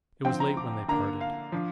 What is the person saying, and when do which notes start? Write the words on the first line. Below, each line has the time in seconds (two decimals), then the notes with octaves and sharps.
It was late when they parted.
0.25 D3 F3 C4 G5
0.40 A#5
0.57 D6
0.88 D3 A#3 D4 A#5
1.21 F5
1.52 F3 D4